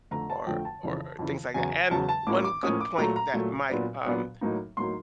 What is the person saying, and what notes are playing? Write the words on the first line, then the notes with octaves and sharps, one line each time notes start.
or or or things like that. And one good point that might, um,
F2 D3 F3 A3 A#5
A5
F2 D3 F3 A3 G5
A5
F2 C#3 E3
F2 C#3 E3
E2 C#3 F#3 G#5
E2 C#3 F#3 A5
A5
A2 F3 A#3 C#4 D6
D6
A2 F3 A#3 C#4 D#6
D6
A#2 F#3 A3 A#5
A#5
A#2 F#3 A3
A#2 F#3 B3 D4
A#2 F#3 B3 D4
A2 F#3 A#3 D#4
A2 F#3 A#3 D#4 C6